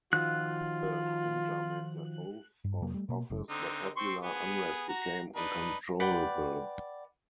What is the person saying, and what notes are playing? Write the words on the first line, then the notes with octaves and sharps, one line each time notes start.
The Junta made the oath of office, but popular unrest became uncontrollable.
D#3 F3 F4 F#4 F#6
G2
F2 C3 F#3 A#3
G3 A3
B2 A#3
F#1 F#2 C#3
D3 C4 D#4
C4 C6 C#6
B3 G#4
F#4 A#5
D4 D#4 B4
B4 D5 F#5 G5